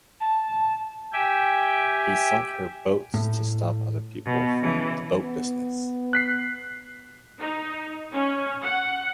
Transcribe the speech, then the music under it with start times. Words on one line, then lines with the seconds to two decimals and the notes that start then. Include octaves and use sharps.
He sunk her boats to stop other people from the boat business.
0.20 A5
1.13 G4 E5 G5 G#5
3.14 A2
4.26 B2
4.61 C#3 E3
5.23 B3
6.13 F#6 B6 C7
7.40 D#4
8.12 C#4
8.62 F#5